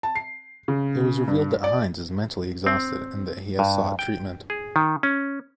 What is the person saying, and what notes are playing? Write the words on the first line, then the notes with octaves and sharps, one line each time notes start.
It was revealed that Hinds is "mentally exhausted" and that he has sought treatment.
A5
C7
C#3
G2
D5
C4
G2
G5
G#4
D#3
C#4